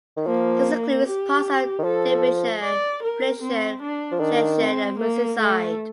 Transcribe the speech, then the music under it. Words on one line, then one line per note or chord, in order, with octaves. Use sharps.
This includes parts of Denbighshire, Flintshire, Cheshire and Merseyside.
D#3
F3 A#3
G4
D#3
F3 A4
D5
A#4
C4
D4
F3
D#3 D4
C4
A#3
A3